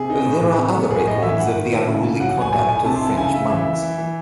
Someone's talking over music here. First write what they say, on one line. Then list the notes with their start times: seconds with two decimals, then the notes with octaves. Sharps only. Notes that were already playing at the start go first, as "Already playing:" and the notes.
There are other records of the unruly conduct of French monks.
Already playing: C3 G#4
0.10 D#4
0.25 A2
0.42 A2
0.58 C3
0.74 A3
0.91 A2 G#4
1.07 A2 D#5
1.22 E3 E5
1.39 E4 F#5
1.55 D#3
1.72 E4
1.88 C#3
2.04 C#3
2.20 F#3 F#5
2.31 F#5
2.36 F#3
2.41 G#5
2.53 A2 G#5
2.69 A2 G#5
2.85 C3 A5
2.96 C6
3.01 E4
3.07 A5
3.18 C#3 G#5
3.34 C#3 E5
3.50 E3 E5
3.66 E3
3.82 E3
3.98 E3